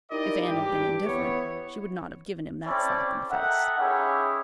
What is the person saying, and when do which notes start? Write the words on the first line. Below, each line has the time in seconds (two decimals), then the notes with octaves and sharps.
If Anne had been indifferent she would not have given him that slap in the face.
0.11 D#4 E4 G4 A#4 D5 D#5
0.47 G#1 G2 D4 G4
1.06 E2 B3 E4 C#5
2.65 C4 C#4 E4 A4 C5 D5
3.31 A4 A#4 D#5 E5 F#5 G5
3.78 C#4 D#4 E4 G4 G#4 C#5